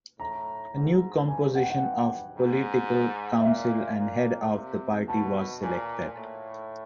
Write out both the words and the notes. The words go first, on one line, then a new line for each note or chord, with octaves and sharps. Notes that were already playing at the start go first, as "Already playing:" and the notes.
The new composition of the Political Council and Head of the Party was selected.
A2 A#5
G#2
G2 G#5
F#5
G5
F#5
G5
G#2
E5
A#2 F5
A#2
C3
B2 A5
A#2 G#5
A2